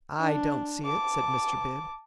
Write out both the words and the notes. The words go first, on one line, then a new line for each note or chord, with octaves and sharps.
"I don't see it," said Mr. Bib.
D4
A5 D6